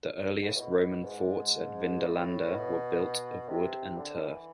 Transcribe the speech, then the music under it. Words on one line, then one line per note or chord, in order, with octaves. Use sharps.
The earliest Roman forts at Vindolanda were built of wood and turf.
G#2
A2
B2
G#2
A2
B2
C3
D3
E3